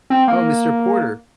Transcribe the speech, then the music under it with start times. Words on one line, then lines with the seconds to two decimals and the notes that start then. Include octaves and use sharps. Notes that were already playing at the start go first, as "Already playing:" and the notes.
Oh, Mr Porter!
0.10 C4
0.28 A#3